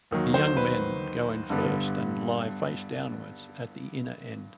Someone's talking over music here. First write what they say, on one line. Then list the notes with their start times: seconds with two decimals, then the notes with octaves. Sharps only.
The young men go in first and lie face downwards at the inner end.
0.11 D#2 D#3 F#3
0.34 C5
0.57 B4
1.50 G2 D3 G3 B3